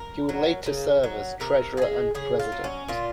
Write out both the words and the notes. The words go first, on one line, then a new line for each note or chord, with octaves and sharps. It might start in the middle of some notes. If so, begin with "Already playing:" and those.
He would later serve as treasurer and president.
Already playing: A#4
F#3
C#3
F#3
C3 A#4
F3 G#3 G#4
C#3 G#4
F4
F#3
C#4
A#2 F4